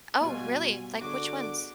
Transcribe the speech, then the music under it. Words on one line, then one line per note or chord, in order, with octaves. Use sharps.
Oh, really? Like, which ones?
G2 B2 B3 F4 G#5
D3 F#4 G#4 D6